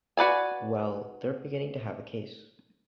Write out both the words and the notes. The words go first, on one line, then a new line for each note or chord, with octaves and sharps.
Well, they're beginning to have a case.
F#4 B4 D5 G#5